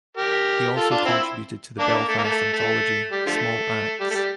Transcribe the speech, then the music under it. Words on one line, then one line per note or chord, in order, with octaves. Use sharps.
He also contributed to the Belfast anthology "Small Axe".
G4 A#4
F4 A4
D4 F4
C4 E4
A#3 D4
A3
A#3
A3
A#3
A3
A3
G3
D3 F3 A3
G3
A3
G3